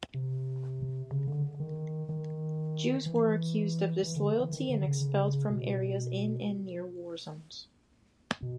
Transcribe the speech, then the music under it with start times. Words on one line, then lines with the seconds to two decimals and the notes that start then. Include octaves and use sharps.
Jews were accused of disloyalty and expelled from areas in and near war zones.
0.14 C3
1.11 C#3
1.27 D3
1.60 D#3
2.09 D#3
3.06 E3
4.03 E3
4.16 D3
4.40 E3
4.53 D#3
4.69 D3
4.86 C#3
5.50 B2
8.43 B2